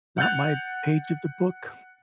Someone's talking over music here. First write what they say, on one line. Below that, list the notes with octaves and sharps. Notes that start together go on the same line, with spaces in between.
not my page of the book.
F#5 F#6 G6 A6 F7